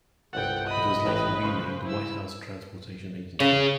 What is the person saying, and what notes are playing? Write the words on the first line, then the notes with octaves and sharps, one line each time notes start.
It was later renamed the White House Transportation Agency.
G1 C2 A4 F#5 G5
D#5 B5 D#6
A1 A2 B4 G5
C#3 C5 D#5
E4 E6
C#3 G#4 C#5